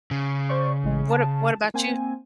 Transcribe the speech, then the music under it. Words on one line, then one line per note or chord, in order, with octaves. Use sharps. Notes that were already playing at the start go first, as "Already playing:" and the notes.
What a what about you?
C#3
C5 D5 C#6
A1 G#3
A5
A#3 C4 G#5